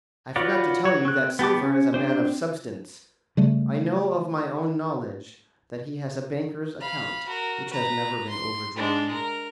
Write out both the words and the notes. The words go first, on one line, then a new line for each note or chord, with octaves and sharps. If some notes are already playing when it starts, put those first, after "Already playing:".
I forgot to tell you that Silver is a man of substance; I know of my own knowledge that he has a banker's account, which has never been overdrawn.
F4 F#4 B4 C#5 D5
F#4 C#5
C4 F#6
B3 G4 A5 D6
C#4
C4 D4 C5
C#3 G3 A3
F5 B5
F#4 A#4
B4 A#5
C6
G#3 D4
A#4